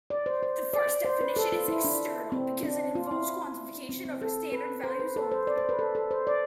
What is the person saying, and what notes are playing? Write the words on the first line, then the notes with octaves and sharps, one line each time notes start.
The first definition is external because it involves quantification over standard values only.
D5
C5
C5
D5
C5
B4
A4
F4
E4
D4
C4
D4
F4
E4
C4
C4
A4
B4
C5
B4
A4
C5
D5
C5
B4
A4
A4
C5
D5